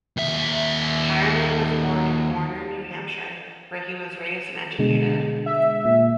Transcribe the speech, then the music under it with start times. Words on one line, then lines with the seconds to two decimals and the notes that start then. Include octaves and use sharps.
Harriman was born in Warner, New Hampshire, where he was raised and educated.
0.17 D#2 E5
4.79 B2 D3 G#3
5.46 E5
5.85 A#2